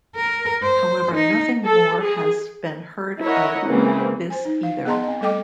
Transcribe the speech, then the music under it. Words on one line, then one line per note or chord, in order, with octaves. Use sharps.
However, nothing more has been heard of this either.
A#4
C5
D#4
A4
G#4
E4 A#4 C#5 D#5 F#5
C#3 E3 G#3 A#3 C4
C5 G#5
D#4
F5
B3 G#4 D#5 A5 A#5 C6
C4 D#5
G3 A3 A4 D#5 G5 D6